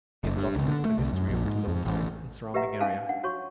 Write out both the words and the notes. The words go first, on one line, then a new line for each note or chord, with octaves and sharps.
It documents the history of Tullow town and surrounding area.
F#1
G2
C#2
D3
A3
C2
F#2
A#1
G#2
F2
A1
G4 B4 D#5 E5 F#5 A#5
C#4 D#4 G#4 F5 G#5 A5
D4 F#5
F#4 C#5 C6 C#6